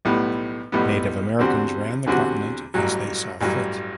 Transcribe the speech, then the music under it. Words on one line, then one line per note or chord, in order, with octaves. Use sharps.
Native Americans ran the continent as they saw fit.
B1 A2 G3 B3
B1 A2 G3 B3
E2 D3 G3 C4 F#4
E2 D3 G3 C4 F#4
A1 G2 F#3
A1 G2 F#3